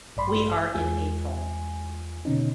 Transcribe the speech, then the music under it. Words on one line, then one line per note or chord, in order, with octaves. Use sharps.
We are in April.
A1 G2 D5 B5 C6
E2 G#3 F4 G#5
B2 D3 C#4 D#4